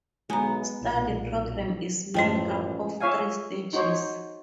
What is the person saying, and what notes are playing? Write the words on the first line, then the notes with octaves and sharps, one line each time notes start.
The study programme is made up of three stages.
B1 G#3 B3 G#5 A#5
B1 A#2
A1 F#2 F3 A3 D#5 E5 G5 C6
F4 C#5 E5 F5 G#5
D#4 F#4 C5 C#5